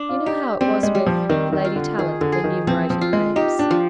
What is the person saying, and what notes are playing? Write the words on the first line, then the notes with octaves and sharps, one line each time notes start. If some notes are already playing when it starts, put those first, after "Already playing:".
You know how it was with....' Lady Tallant enumerted names.
Already playing: D4
F4
D#4 G4
G3 C4
G#3
G3
F3
D#3 C4
D#3
F4
D3
D#3 G#4
D3
G#4
D#3
F3 C4
F3
F4
G#3
D#4 G4
D4
F3